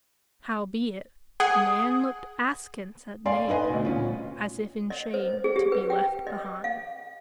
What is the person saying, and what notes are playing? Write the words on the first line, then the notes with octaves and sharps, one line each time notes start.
Howbeit, man looked askance at man, as if in shame to be left behind.
G#4 F#5
D5 F5 G#5 C6
D4 D#4 B4 D#5 G#5
D2 B2
D#1 C#4 F4
D#5
C5
G#4
G4
B4
G5
D#5
F5